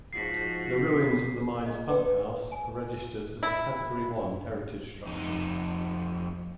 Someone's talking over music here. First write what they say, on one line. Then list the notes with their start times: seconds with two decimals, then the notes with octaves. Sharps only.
The ruins of the mine's pumphouse are registered as a Category One heritage structure.
0.13 G#2 F3 F#4 B6 C7
1.66 G#4 D#5
1.89 B4 D5 G5 E6
2.52 G#5
3.43 E4
5.07 F2 D#4